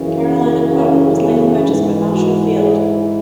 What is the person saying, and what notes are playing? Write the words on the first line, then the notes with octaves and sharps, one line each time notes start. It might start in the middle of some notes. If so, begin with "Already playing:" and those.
Carolina Cotton was later purchased by Marshall Field.
Already playing: F#2 C#3 E3
C#4
B3
G#2 E3
F#4
G#4